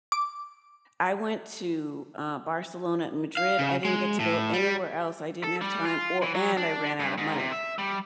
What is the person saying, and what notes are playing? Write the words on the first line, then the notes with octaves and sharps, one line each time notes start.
I went to, uh, Barcelona and Madrid, I didn't get to go anywhere else, I didn't have time or and I ran out of money.
D6
F5
C#3
G#3
A2
G3
A4
G3
F4
E3
F#3
D4
G2
G#2
C3
E5
G3